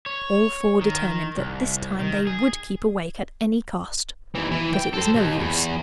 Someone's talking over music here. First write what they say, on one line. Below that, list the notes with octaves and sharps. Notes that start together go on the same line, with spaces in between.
All four determined that this time they would keep awake at any cost. But it was no use.
C#5
D#3
C2
D#3
G#4
D#2 E3
E3
G5
A4 C5
D#2
E2